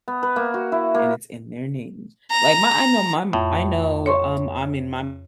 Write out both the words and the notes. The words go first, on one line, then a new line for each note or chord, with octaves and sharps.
and it's in their names, like my I know my m I know, um, I mean, my
B3
B4
A#3
F#4
E4
A#3
A#5
F2 A2
C#5 C6 C#6